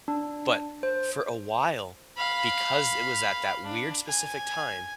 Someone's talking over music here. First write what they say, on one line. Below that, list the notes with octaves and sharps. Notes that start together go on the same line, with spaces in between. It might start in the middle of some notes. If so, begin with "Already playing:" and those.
But for a while, because it was at that weird specific time,
D4
C5
F5 B5
D4
G#5